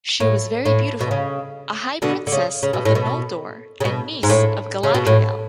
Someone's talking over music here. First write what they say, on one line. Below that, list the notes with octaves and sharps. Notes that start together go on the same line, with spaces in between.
She was very beautiful, a high princess of the Noldor and niece of Galadriel.
A2
A2
B2
C#3
B2 D3
D3
C#3
C#3
B2
A2
B2
C#3
B2
G#2
A2
C#3
B2
A2